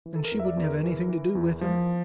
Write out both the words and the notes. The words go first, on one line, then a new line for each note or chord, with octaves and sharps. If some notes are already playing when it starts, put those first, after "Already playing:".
And she wouldn't have anything to do with him.
E3
A4
A#4
E2
E5
D5
E2
A#4
E3
E3
E2
F3